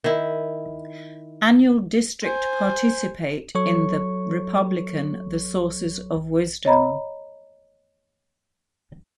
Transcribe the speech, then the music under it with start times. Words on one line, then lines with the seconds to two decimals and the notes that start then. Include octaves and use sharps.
Annual district participate in the Republican the sources of wisdom.
0.04 D#3 E4
2.23 C5 G#5
3.55 F#3 A4 C#5 C#6
6.65 C#5 D#5 A#5 B5